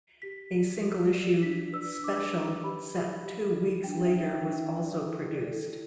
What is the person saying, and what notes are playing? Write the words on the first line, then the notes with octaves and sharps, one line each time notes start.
A single issue 'Special' set 'Two weeks' later was also produced.
G4 B6
D5
G4
D5
D4 B6
B4 D5 E6
D4 D6
B4 D5
G4 B5
D5
G4
D5
D4 G5
E5
B4 D5
G5
D4 G5
B4 D5
E4
A4 D5
E4